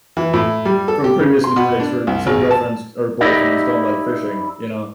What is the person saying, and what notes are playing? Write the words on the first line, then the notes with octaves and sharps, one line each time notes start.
from previous mistakes where some girlfriends or boyfriends don't like fishing, you know?
E3
A2
G3
A4
G4
C#3
C6
B2
D4
C2
G#1
A5
D#4 E4 G4 D5 D#5